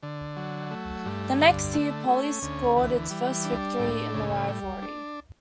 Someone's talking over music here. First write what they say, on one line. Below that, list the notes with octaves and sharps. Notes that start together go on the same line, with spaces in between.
The next year Poly scored its first victory in the rivalry.
D3
F#3
A3
G2
D3
A3
C#4
D2
E3
G3
D4
A2
C#3
G3
D4